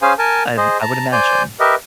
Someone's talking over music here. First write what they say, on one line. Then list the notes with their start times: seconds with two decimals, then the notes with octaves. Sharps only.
I I would imagine.
0.02 C#4 G#4 C5 F5 G#5
0.19 A#4 G#5 A5
0.57 G#4 C5 D#5
0.81 A5 A#5
1.12 C5 D5 G#5 G6
1.60 G4 A#4 B4 D#5 E5